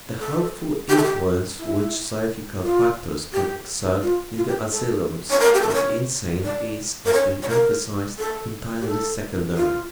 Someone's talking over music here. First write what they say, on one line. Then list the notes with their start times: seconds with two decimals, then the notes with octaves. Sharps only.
The helpful influence which psychical factors can exert in the asylums for the insane is, as we emphasized, entirely secondary.
0.20 A4
0.89 G4
0.97 A4
1.03 G4
1.59 E4
2.63 F4
3.33 G4
4.02 F4
4.36 F4
4.48 G4
4.72 A4
5.30 C#5
5.40 A#4
5.54 G4
5.61 A4
5.69 A#4
5.75 C#5
6.45 D5
7.06 A#4
7.13 C#5
7.43 C#5
7.49 A#4
8.18 A4
8.81 G4
8.87 A4
9.57 F4